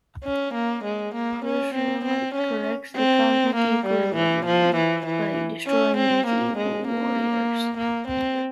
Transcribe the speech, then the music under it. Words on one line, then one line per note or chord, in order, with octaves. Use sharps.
Parashurama corrects the cosmic equilibrium by destroying these evil warriors.
C#4
A#3
G#3
A#3
C#4
C4
C4
C#4
C4
A#3
G3
E3
F3
E3
E3
C#4
C4
A#3
G#3
A#3
A#3
C4